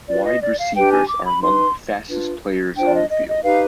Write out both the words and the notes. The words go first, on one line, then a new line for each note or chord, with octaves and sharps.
Wide receivers are among the fastest players on the field.
F4 B4 D5
D#5
D5
F5
D4 G4 B4 G5
G#5
D6
B5
D#4 B4 C6
D4 F4 B4
D4 F4 C5 G5
D5
D#5
D#5
D#5
D#4 G4 B4 F5